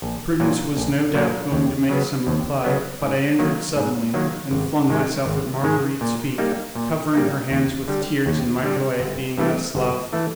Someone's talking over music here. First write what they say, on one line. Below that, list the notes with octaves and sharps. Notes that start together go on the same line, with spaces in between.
Prudence was no doubt going to make some reply, but I entered suddenly and flung myself at Marguerite's feet, covering her hands with tears in my joy at being thus loved.
A#1
A#2 F#3 A#3
A#1
A#2 F#3 A#3
D#2
C#3 F#3 B3
D#2
C#3 F#3 B3
G#2
D#3 F#3 A#3
G#2
D#3 F#3 A#3
G#1
G#2 D#3 G#3
G#1
G#2 D#3 G#3
A#2
G3 A#3 D#4
A#2
G3 A#3 D#4
D#2
D3 G3
D#2
D3 G3
G1
G2 E3 A3
G1
E3 A3